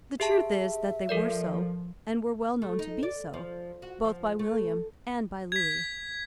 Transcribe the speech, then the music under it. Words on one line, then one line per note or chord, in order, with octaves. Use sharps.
The truth is that they were so, and were well known to be so both by William and by Lewis.
G4 G#4 E5 A5
F3 A4 A#4 D5
A3
D#4
D5
F3
F#4
F3
A3
G#6 B6